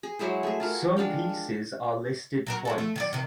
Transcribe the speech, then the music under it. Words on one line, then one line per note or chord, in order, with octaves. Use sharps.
Some pieces are listed twice.
G#4
F#3 G#3 E4 C5
A3 G#4
F4 F#4 A#4
G#3 D4 F5 G5
F#3 F#4 A#4
G#3 F#4 A4
A3
D#3 F#3 D5
C3 D#3